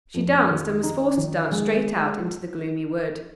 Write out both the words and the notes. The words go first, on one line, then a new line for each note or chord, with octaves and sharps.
She danced, and was forced to dance straight out into the gloomy wood.
F2
D#3
D#4
D#3
G#3